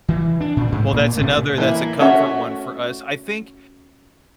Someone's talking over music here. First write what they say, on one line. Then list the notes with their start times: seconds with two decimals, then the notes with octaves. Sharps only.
Well, that's another that's a comfort one for us. I think
0.08 E3
0.41 D4
0.57 A#2
0.72 G#2
0.93 A#2 A#3
1.17 A2 C3 A3
1.58 E3 A#3 E4
1.99 A3 C#4 F#4 E5